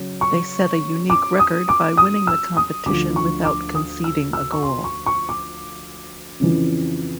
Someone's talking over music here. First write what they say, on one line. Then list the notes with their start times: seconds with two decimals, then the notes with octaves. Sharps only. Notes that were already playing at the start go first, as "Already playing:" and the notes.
They set a unique record by winning the competition without conceding a goal.
Already playing: C#3 F#3
0.21 C#6
1.10 D6
1.39 D#6
1.69 D6
1.97 D#6
2.27 E6
2.57 D#6
2.86 D2 D3 F3 D6
3.16 C#6
3.45 D6
3.75 D#6
4.04 E6
4.33 E6
4.52 C#6
4.63 C6
4.84 C#6
5.06 C#6
5.29 D6
6.40 F2 C#3 E3